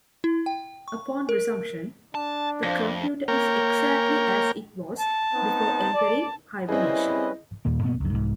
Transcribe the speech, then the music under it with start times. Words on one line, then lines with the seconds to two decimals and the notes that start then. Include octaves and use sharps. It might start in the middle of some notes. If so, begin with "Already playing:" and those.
Upon resumption, the computer is exactly as it was before entering hibernation.
0.24 E4
0.46 G5
0.88 C#6
1.29 A#4
2.15 D4 A5
2.63 F2 C5 F5 A#6
3.28 A#3 A#4 C#5 G5
4.98 A5
5.34 B3 C4 D#4
5.93 D5
6.69 G3 C4 C#4 E4 G#4 B4 D#5
7.65 D#2 A#2 A#3
7.83 G2 B2 A#3 B3
8.00 C#2 F#2
8.12 C2 G#2